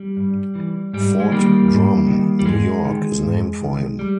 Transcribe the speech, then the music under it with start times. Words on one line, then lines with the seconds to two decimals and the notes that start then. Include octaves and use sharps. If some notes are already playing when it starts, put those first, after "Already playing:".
Fort Drum, New York is named for him.
Already playing: G3
0.17 G2
0.55 E3
0.93 G#2 G3
1.20 G#3
1.32 D#3 G3 A#3
1.70 G#2
2.08 D#3
2.39 G3
2.46 G#2 G#3
2.85 D#3
3.23 G#2
3.61 D#3
3.99 G3